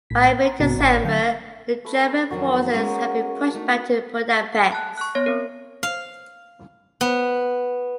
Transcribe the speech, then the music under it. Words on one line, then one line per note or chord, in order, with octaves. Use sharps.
By mid-December, the German forces had been pushed back to Budapest.
A#1 A2 B6
A#5 C6
B1 G#2 C3 B3 F#4 A#5
G#1 A2 C#5 D5 A#5
D3 F#3 F5 A5 G6
A3 B4
F2 D#3 F#3 F#4 A#4
G#3 A#3 B3 C#4 F#4
A3 D#4
A5 F#6
C#6 F#6
B3 C#5 A#6
C4 A#4
F5
B3